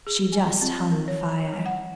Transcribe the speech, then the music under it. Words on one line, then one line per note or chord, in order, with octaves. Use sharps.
She just hung fire.
G#4
G#5
F4
C4
C4
A#4
C#5
A#5
G3
F#5